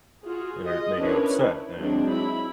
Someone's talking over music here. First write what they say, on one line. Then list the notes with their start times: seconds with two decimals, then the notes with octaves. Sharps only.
and it made you upset and
0.23 F4 F#4 G#4
0.62 F4 G#4 D#5
0.98 C#4 D4 E4 A#4 B4 C#5
1.33 E4
1.78 F#3 G#3 C4 D4
2.09 E4 B5